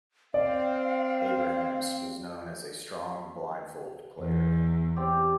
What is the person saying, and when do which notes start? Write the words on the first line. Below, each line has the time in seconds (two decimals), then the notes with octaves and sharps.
Abrahams was known as a strong blindfold player.
0.34 C4 D5 F5
4.19 E2
4.96 C4 G4 D5